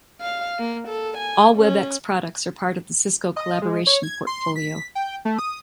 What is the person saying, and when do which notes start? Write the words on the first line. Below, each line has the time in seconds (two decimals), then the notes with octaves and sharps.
All WebEx products are part of the Cisco collaboration portfolio.
0.21 F5
0.59 A#3
0.88 A4
1.17 G#5
1.57 C#4
3.36 D#5
3.62 G#3
3.87 C#5
4.03 G#6
4.27 C6
4.56 B6
4.95 G5
5.25 A3
5.39 D#6